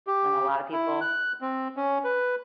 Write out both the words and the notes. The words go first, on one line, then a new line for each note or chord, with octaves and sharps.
And a lot of people
G4
E4
F#6
C4
C#4
B4